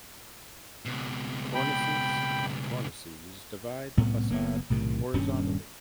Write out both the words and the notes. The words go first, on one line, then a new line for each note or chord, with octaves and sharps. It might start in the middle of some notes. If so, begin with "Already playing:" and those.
Cornices and Cornices divide the facade horizontally.
C#2 B2
G5 B5
C2 A2 B3
F#1 A#3 B3
B1 A2 C3 D#3
D#1 G2 G3 C#4